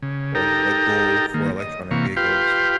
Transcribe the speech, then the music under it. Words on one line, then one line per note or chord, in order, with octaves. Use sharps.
Or, the goal for electronic vehicles.
C#3
D#4 G4 A4 A#4 G5 A#5
D#3 A#3
D#5
C3 E3 A#3 F5 C#6
F4 G4 B4 F5 G5 C6